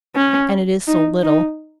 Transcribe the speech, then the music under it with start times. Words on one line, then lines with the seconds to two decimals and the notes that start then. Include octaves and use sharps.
And it is so little!
0.16 C#4
0.88 D#4
1.23 D#4